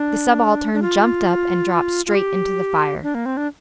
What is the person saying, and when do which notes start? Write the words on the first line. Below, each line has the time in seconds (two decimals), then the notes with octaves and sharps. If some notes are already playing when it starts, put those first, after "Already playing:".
The subaltern jumped up and dropped straight into the fire.
Already playing: D4
0.74 D4
0.82 F4
2.06 F4
2.15 G4
3.03 D4
3.15 A#3
3.26 C4
3.37 D4